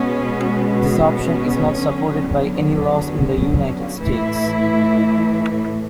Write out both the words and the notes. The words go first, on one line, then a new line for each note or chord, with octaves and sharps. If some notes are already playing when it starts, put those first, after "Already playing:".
This option is not supported by any laws in the United States.
Already playing: B2 G#3 B3 C#4
C#4
C#4
E2 D3 F#3 B3
C#4
A2 E3 A3 E4